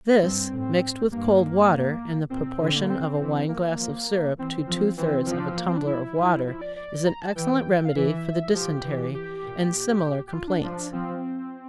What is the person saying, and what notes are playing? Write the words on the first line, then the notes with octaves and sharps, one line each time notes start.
This, mixed with cold water, in the proportion of a wine glass of syrup to two-thirds of a tumbler of water, is an excellent remedy for the dysentery, and similar complaints.
G2 C4
A2
G2 A#3
A#2 C4
D3
A#3
C4
E3
A#3
F3
E3 C4
F3
E3 C4
F3
D4
C4
A#3
C4
D4
E4
F3
E4
D5
D5
A#5
A5
E3 G5
F5
E3 E5
F3 G4
E3
G4
A#2
G4
F4
D4
F3
F3 C4